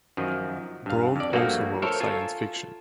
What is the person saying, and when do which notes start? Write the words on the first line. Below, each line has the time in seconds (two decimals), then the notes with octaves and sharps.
Braun also wrote science fiction.
0.17 F#2 D#3 F3
0.86 G2 F5
1.16 F2 D5
1.33 G2 F3 A3 A#3 F#4
1.82 A4 A#4 C5 C#5 E5
2.00 F4 A4 G#5